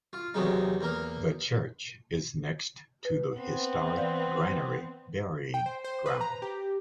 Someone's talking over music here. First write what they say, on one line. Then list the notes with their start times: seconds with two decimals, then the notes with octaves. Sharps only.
The church is next to the historic Granary Burying Ground.
0.13 F4
0.34 E2 C3 F#3 G#3 D#4
0.81 E2 A#3 A#4
3.05 B4
3.38 B3 C4
3.97 E3 D5 F5
5.54 G5
5.66 C5
5.84 C5
6.06 B4
6.21 A#5
6.42 G4